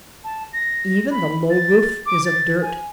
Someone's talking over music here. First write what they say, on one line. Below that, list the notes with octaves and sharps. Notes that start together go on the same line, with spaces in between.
Even the low roof is of dirt.
A5
A#6
B5
A6
D6
A6
G#5